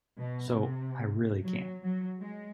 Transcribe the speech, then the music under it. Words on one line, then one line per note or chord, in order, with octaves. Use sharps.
So, I really can't.
B2
C3
F#3
F#3
G#3